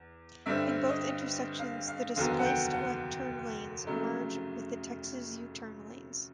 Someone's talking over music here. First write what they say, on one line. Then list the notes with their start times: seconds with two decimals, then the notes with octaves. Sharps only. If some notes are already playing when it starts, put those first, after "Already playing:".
In both intersections, the displaced left turn lanes merge with the Texas U-turn lanes.
Already playing: E2
0.46 G2 D3 G3 C4 E5
0.88 D#5
1.59 F5
1.88 F5
2.16 F1 D#2 D3 F#3 B3 F5
2.39 F#5
2.45 G5
2.73 F#5
3.87 F1 F2 C#3 F#3 A3